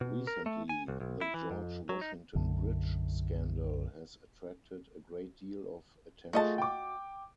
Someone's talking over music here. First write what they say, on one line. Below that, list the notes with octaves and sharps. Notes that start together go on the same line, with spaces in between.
Recently, the George Washington Bridge scandal has attracted a great deal of attention.
B2
A#4
A3
G#5
C2
B1
E4
E3
F2
F#3
D#4
B1 F#2 D3
A3 F4 F#4 G#4 D#5 A5
G5 D6